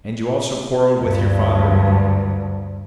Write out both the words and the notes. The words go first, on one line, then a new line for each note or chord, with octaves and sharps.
"And you also quarreled with your father?"
D2 G2